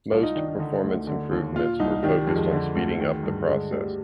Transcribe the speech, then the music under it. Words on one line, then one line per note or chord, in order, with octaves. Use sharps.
Most performance improvements were focused on speeding up the process.
C2 F4
D#4
D#3 D4
D#4
D3 D#4
D2
D3
D#2
A#2 F4
C2 D#4
D#3 G3
F2
G#3
D3
D2
D#3
G2
D3 G#3
D2 G3